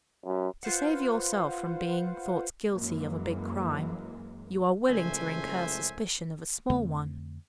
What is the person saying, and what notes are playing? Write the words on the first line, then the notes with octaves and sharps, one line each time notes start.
To save yourself from being thought guilty of a big crime you are willing to incur suspicion of a small one.
F#2
F4 B4 C5 F5 F#5
F#2 E3 G#3 A#3
F#1 C#2 A3 C5 E5 G#5
F2 D3 A3 C4